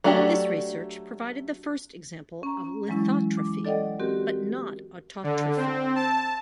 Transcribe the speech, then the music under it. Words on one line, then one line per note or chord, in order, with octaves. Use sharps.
This research provided the first example of lithotrophy, but not autotrophy.
F#3 A3 D4 F#4 G4
C#4 A#5
E3 F#3 G#3 C#4 E4
D6
A4 D5 D#5 F#5 G5
C4 F#4 G4 A#4
D3
C4
A5